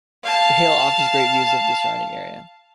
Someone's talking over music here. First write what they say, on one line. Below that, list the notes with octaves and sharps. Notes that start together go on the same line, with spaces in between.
The hill offers great views of the surrounding area.
F5 A5